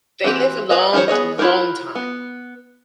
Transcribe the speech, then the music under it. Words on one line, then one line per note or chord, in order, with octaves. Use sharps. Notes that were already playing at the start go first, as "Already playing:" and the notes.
They live a long, long time.
E3 C4 F#4 G4
G#4 B4 D#5
D#3 F3 E4 C5 C#5
B3 G#4 C#5 D#5
E4 F4 G4 A#4 B4
B3